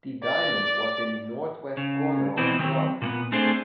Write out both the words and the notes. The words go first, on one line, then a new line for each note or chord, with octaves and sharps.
The diamond was in the northwest corner of the block.
D5
C#3
B2 E3 C4
D#3 F#3 C4
A#2 A#3 B3
A3 C4 D4 G#4 A4 C5